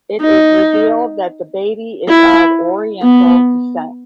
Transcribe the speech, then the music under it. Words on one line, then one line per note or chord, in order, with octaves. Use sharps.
It is revealed that the baby is of oriental descent.
D#4
E4
B3